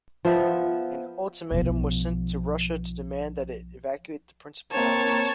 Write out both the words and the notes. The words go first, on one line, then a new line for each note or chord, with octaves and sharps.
An ultimatum was sent to Russia to demand that it evacuate the Principalities.
F3 B3 E5
B1 F3
A#3 C4 C#5 A5